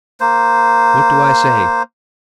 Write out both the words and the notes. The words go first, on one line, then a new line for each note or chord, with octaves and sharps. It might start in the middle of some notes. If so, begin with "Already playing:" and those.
What do I say?
A#3 C5